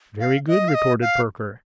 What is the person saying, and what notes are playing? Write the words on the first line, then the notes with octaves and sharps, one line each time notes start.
'Very good,' retorted Perker.
F5
D#5
F5
D#5
F5